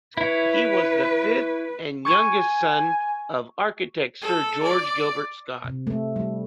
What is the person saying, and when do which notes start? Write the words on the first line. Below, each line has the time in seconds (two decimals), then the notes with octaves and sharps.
He was the fifth and youngest son of architect Sir George Gilbert Scott.
0.17 E4 B4 C#5
2.05 G#5 C#6 G#6 D#7
4.22 A4
4.63 D5
5.64 C3
5.87 A3
6.16 G3